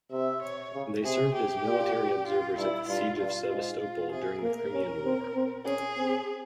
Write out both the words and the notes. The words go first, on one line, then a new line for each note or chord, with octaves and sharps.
They served as military observers at the Siege of Sevastopol during the Crimean War.
C3 E5
C#5
C#3
C3 G#4
G4
A#2
F4
G2 E4
G2 F4
G2 F4
G#2
F4
C3 G#4
A#3 A#4
C#4
C4
C4
C#4 G#4
C4